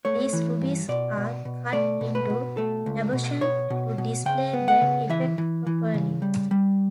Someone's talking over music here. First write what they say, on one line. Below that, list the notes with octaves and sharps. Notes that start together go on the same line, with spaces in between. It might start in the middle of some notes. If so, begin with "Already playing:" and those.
These rubies are cut into cabochons to display the effect properly.
A3 C#5
E3
G2
B2 D5
B2
B2
A3 D5
B2
B4
B2
A3 A4
C#2
B2
B2 C#5
B2
B2
C#3 G5
B3
F#5
C#3
E3 E5
E3
E3
C#3
G3
G3